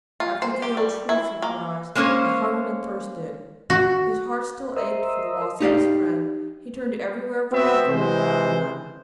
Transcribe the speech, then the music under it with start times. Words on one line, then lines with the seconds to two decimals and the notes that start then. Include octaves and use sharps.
"After Thee, O Truth," he cries, "I hungered and thirsted!" His heart still ached for the loss of his friend, he turned everywhere for comfort and found none.
0.20 F4
0.42 C5
0.62 G4
0.77 G3
1.09 E4
1.42 A#3
1.95 G#3 A#3 C#4 C5 C#5
3.70 F#4
4.76 A#4 C5 D#5 E5
5.60 D#4 G4 D5 F5
7.51 B3 C4 F#4 E5
7.87 C3 E3 G#3 C5